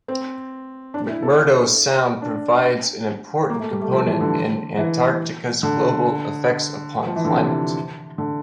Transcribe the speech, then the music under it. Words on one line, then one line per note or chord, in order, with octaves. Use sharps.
McMurdo Sound provides an important component in Antarctica's global effects upon climate.
C4
D4
E4
A4
D4
A#3
A3
G3
A3
F3
E3
D3
E3
D3
F3
E3
D3
C3
D3